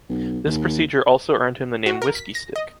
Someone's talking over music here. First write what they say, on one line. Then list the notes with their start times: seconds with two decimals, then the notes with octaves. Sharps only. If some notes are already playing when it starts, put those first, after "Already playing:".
This procedure also earned him the name "whiskey-stick".
0.09 B1
0.46 D#2
1.86 F#4
2.02 A#4
2.15 B6
2.35 A#6
2.56 D#5